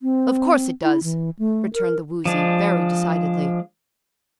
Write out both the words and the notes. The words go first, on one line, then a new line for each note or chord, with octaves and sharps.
"Of course it does," returned the Woozy, very decidedly.
C4
E4
E3
A3
A#4
F3 G#3 D4